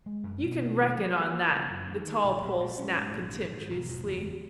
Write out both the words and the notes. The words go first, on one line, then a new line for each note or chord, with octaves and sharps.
"You can reckon on that," the tall Pole snapped contemptuously.
G#3
F#2
B2
B2
D#3
F#3
A#3
A#3
C#3
F#2
D#3
D#3
A#1
A#1
A#2
C#4
G#2
A#1
D#3
G#2
E1
E2
F#1